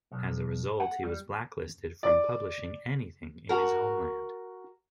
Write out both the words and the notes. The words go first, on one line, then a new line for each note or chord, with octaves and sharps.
As a result, he was blacklisted from publishing anything in his homeland.
B1
F#5
G3
D5
F#4 A#4